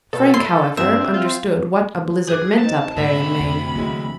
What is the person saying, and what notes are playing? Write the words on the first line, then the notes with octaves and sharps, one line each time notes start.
Frank, however, understood what a blizzard meant up there in Maine.
B2 A4
E4 C6
G2 C4 E5
F4
G#4 D6 F#6 G6
C4 D#4 A5
D2 G#2 C3 E5 B5
F2
D#2 E3 F#3 G#3 E4